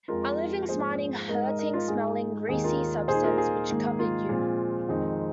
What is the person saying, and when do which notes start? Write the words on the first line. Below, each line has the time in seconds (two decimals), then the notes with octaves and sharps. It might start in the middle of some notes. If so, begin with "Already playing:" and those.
A living, smarting, hurting, smelling, greasy substance which covered you.
0.08 F2 F3 G#3 F4 A#4
0.69 G#2 F3 A#3 G#4 C5
1.28 G#2 G#3 D#4 A#4 D#5
1.44 A#4 D#5
1.59 A#4 D#5
1.73 F4 A#4
1.88 G#2 G#3 D#4 G#4
2.49 D#2 D#3 G#3 D#4 G#4
2.64 F4 A#4
3.08 A#2 A#3 D#4 G#4 C5
3.24 F4 A#4
3.38 G#4
3.69 G#2 D#3 A#3 D#4
3.99 F4
4.29 A#2 F3 G#3 C4
4.88 F2 D#3 G#3 C4 D#4